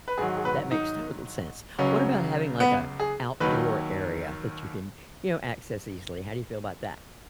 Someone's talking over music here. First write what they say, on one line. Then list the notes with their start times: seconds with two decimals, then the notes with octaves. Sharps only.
m that makes total sense. What about having, like, a outdoor area that you can, you know, access easily, how do you feel about that?
0.08 B4
0.18 G#2 D#3 F#3 G#4
0.37 G#4
0.45 B4
0.71 D#4
1.79 C#2 C#3 F#3 C#4
2.60 B3
3.00 G#4
3.40 D#2 D#3 F#3 B4